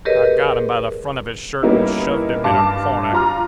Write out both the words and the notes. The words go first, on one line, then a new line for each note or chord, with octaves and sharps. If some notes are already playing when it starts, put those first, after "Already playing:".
I got him by the front of his shirt and shoved him in a corner.
G4 G#4 A#4 B4 C#5 D#5
G3 A#3 B3 C#4 D#4 E4
G2 F5 A5 D6
F4 A#5 F6